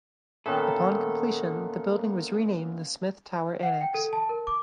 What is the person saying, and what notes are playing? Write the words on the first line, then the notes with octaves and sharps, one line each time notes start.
Upon completion the building was renamed the Smith Tower Annex.
A#2 D#3 B3 C#4 A4 A#4 E5
F#5
G5
A4
A5
A#4
D6